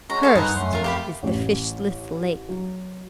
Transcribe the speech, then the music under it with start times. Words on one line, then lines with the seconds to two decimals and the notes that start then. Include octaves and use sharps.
"Cursed is the fishless lake!"
0.10 G#3 C#4 F#4 A#5
0.23 A4 C5 F5
0.35 G2 D#4 A#4 B4 F#5 G#5 D#6
0.56 F#2 A3 C#4 C6
0.73 F2 F4 A#4
0.84 G4 F5 G5 B5
1.23 A1
2.49 F#3